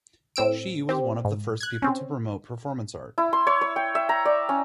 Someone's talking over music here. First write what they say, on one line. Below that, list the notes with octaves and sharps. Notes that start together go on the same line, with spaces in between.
She was one of the first people to promote performance art.
A2 C4 E6 D7
C4 G4
G#2
F#6 G#6
C4 C#4
E4
C6
C#5
C#5
G5
E5
A#5
D5
C#4